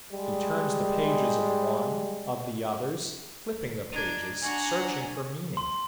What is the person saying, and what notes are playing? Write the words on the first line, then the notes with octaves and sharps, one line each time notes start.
He turns the pages of one, of the others, flipping the pages, searching for meaning.
G3 G#3
D4 D#5 A#5 G#6 D#7
D4 F#4 F#5 G#5 A#5 C#6
C6